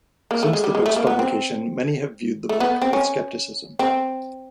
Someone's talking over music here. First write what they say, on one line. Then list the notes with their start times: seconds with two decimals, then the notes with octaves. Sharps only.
Since the book's publication, many have viewed the book with skepticism.
0.31 A#3
0.43 A3
0.53 G#3
0.64 G3
0.75 G#3
0.86 A3
0.96 A#3
1.07 B3
1.19 C4
2.49 A3
2.60 B3
2.82 C4
2.93 C#4
3.79 C4